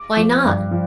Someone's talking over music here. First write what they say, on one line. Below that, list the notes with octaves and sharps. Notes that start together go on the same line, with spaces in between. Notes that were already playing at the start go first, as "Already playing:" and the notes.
"Why not?"
Already playing: D6
F3
G2
F3